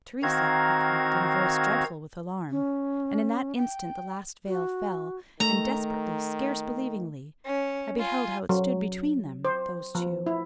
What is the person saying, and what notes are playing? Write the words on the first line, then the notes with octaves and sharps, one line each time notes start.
"Theresa!" he called, in a voice dreadful with alarm--and in that instant the last veil fell, and desperately, scarce believingly, I beheld how it stood between them, those two.
D#3 C4 F#4 F5 A#5 G#6
C#4
G5
F#4
D#3 A3 A#5
C#4
F4 G#5
F#3
C5
F3
E4